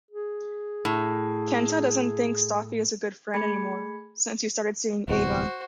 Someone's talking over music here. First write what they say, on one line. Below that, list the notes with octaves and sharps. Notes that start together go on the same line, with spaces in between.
Kenta doesn't think Stoffe is a good friend anymore since he started seeing Eva.
G#4
A2
A3 G#4 B5 G#6 C#7
D1 E2 C3 F#4 C5